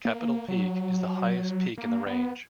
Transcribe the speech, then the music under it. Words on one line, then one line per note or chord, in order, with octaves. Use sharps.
Capitol Peak is the highest peak in the range.
A#3
F#3
A#3
B3